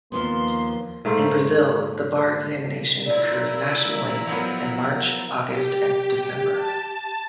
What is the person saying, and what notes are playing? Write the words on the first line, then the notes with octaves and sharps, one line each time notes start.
In Brazil, the bar examination occurs nationally in March, August and December.
D#2 F3 A#3 B3 C6
G#2 A3 A#3 C5
E4 F4 A#4 D5
F3 F#3 B3
G4
A5